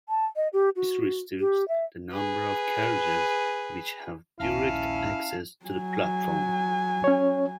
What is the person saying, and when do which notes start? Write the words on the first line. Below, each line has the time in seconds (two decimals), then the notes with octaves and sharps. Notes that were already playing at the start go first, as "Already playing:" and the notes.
This restricts the number of carriages which have direct access to the platform.
0.09 A5
0.36 D#5
0.53 G4
0.76 F#4
1.40 G4
1.68 E5
2.12 G#4 B4
4.39 D#1 A#1 C#4 E4 F5 A5 F6
5.66 F#3 G#5
7.04 C#4 C#5